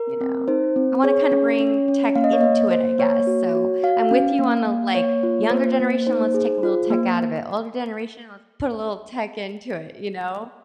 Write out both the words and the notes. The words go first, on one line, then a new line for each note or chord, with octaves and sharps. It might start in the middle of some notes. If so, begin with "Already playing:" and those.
you know, I wanna kinda bring tech into it, I guess, so I'm with you on the, like, "Younger generation, let's take a little tech out of it. Older generation, let's put a little tech into it," you know?
Already playing: A#4
C4
D#4 C5
C4
G#4 C#5
C#4
C#4
C#4
A#3 F5
D#5
C#5
A#3 D#5
A#3 C5
A#3 C#5
F#4
F#4
F#4 F5
C#4
A#3
A#3
A#3 C#5
F4
A#3 C5
A#3
D#4 C5
G#4
F4
A#3